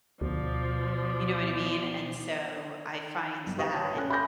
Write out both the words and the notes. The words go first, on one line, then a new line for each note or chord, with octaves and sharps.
You know what I mean? And so, I find that,
D2 B2 F3 D5
G1
G4 B4 F5 C#6 D#6
C#5 G5 A5 D#6
C#4 A4 G#5 D#6 F#6
E5 B5 C6 D6 G6 A#6